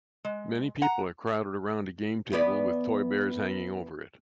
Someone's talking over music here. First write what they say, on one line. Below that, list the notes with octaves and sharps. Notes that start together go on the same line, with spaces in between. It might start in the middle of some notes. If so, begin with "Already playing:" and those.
Many people are crowded around a game table with toy bears hanging over it.
G#3
F#5 A#5
E2 B3 D5